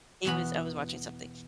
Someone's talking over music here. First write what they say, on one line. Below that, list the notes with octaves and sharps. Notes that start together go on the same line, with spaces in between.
he was I was watching something,
E2 B2 B3 F#4 B5